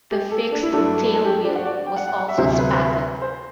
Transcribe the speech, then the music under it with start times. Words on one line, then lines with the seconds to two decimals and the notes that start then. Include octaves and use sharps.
The fixed tailwheel was also spatted.
0.11 G4
0.31 A4
0.52 D4
0.63 E4
0.72 G2 F#3 A3 D4
1.14 A4
1.25 G4
1.45 D4
1.55 F#4
1.66 D5
1.86 G5
1.96 F#5
2.07 F#5
2.18 F#5
2.29 E5
2.38 D2 C3 F#3 C5
2.59 B4
2.72 C5
2.87 B4
3.22 C5